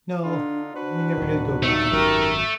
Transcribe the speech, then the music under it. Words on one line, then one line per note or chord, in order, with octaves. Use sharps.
No, we never did go back anywhere.
D3 D4 D#4 F4
D4 F#4 B4 C5
D1 D#3
G2 F#3 A3 D#4
G#1 F#2 G4 A#4